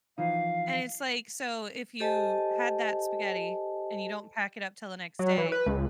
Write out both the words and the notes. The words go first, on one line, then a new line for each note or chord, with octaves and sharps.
And it's like, so if you had that spaghetti and you don't pack it up till the next day,
E3 F3 D#4 F5
G4 A4 C5 D#5 G#5 A5
F#3
E3
B4
C#2